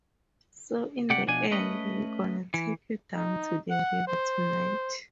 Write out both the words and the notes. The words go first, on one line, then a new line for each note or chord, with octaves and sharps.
So in the end, we're gonna take you down to "The River" tonight.
C3 G4 D5 F#5
B2 F3 D4 G#5
A3 C#4 B4 D#5
E3
D#4
F#5
C5